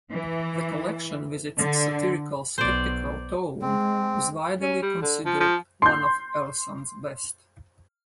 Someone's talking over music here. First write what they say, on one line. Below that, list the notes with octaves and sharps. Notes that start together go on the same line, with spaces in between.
The collection, with its satirical, skeptical tone, is widely considered one of Ellison's best.
E3
D3
B1 C5 D5
G#3 C4
C#4
G3
D3
F3
F3
C6 G6